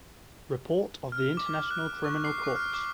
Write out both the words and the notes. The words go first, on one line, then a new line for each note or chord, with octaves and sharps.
Report of the International Criminal Court.
F6
D6
F#6
C#6
C7
C#6
F6
D6